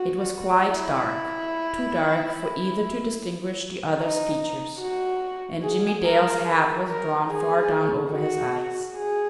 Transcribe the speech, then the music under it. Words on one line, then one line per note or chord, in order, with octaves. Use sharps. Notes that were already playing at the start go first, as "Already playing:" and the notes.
It was quite dark, too dark for either to distinguish the other's features--and Jimmie Dale's hat was drawn far down over his eyes.
Already playing: F#4
E4
D#4
F#4
G#4
A#4
B4
A#4
G#4
F#4
G#4